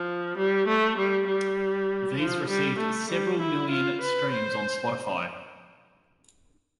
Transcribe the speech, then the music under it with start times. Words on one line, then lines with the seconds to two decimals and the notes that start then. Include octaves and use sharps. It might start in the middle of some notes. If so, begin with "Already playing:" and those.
These received several million streams on Spotify.
Already playing: F3
0.37 G3
0.67 A3
0.98 G3
1.27 G3
2.19 F3
2.48 G3
2.79 A3
3.10 G3
3.40 E4
3.70 F4
4.01 B4
4.31 C5